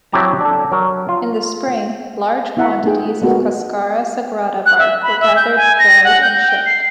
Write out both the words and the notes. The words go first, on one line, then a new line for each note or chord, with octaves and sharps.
In the spring, large quantities of Cascara Sagrada bark were gathered, dried, and shipped.
F#3 C4 E4 G4 A5 A#5
D4 A4
F#3 A#4
F4
B3 E4 E5 F#5 A5 A#5
A3 B3 D#4 F4 G#4 G5
G#3 A#3 B3 F#4 A4 A#4
F#6
E5
B5
E5
G6
G#5
A#6
F#5
G6
G5
C7